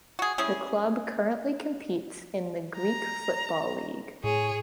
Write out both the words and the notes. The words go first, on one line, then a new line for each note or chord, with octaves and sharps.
The club currently competes in the Greek Football League.
F#4 G#4
G3 C#4 E4 G#4
A#5
A2 G#4 C#5